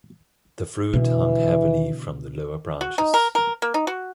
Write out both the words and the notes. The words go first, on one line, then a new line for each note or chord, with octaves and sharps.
The fruit hung heavily from the lower branches.
B2 D3 E3
F#4
D#4
A#4
A#4
A#3
D#4
F#4